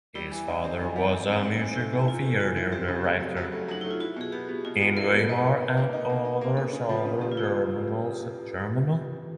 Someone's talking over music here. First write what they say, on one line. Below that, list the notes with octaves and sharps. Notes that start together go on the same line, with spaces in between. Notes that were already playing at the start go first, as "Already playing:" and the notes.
His father was a musical theatre director in Weimar and other Southern German centers.
G3 E4
E3
D#4
C4
E3
G3
C4
C4
E4
C4 D#4
E3
A3 E4
E3
E3 F4
A3
E3 F#4
E4
C4 G4
C#3
A3
F#3
F#3
A3
F#3 D#4
A3 E4
F4
E4 F#4
B2 G#4
B3 G4
B3
B2 F4
B3
E4 A#4
B2
A#4
D#4 B4
D#4
D#4
A#3
D#4
A#3
D#4
A#3
C#3 A4
C#3
F3 B4
C#3
C#3 G4
F4
F3 E4